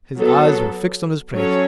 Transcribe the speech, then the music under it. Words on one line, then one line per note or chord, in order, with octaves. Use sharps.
His eyes were fixed on his plate.
F#3 B3 A4
F#3 C#4 A4 C#5